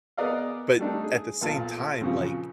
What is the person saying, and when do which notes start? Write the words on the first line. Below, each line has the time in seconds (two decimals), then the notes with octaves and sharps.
But at the same time, like,
0.17 B3 G#4 A#4 D5 D#5 F5
0.79 G3 A3 D4 D#4
1.04 G#4
1.41 B1 A#2 A5
2.00 F2 A#2 C#3 F3